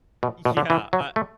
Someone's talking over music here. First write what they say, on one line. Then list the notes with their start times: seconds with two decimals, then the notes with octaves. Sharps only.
Yeah, I
0.23 B2
0.45 B2
0.57 D3
0.70 E3
0.93 F#3
1.16 A3